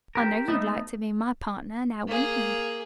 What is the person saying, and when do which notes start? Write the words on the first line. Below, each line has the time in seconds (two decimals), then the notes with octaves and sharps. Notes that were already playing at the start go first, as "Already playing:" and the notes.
I know you'd like to be my partner, now wouldn't you?
0.15 C4 G4 A#4
0.48 A3 B3 D#4
2.07 A#3 G#4